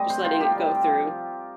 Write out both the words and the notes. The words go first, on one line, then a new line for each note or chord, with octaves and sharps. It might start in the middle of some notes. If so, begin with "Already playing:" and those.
just letting it go through.
Already playing: G3 A3 C4 D#5
C3 C5
D#4 F4
D#4 G4
G3
C4
F3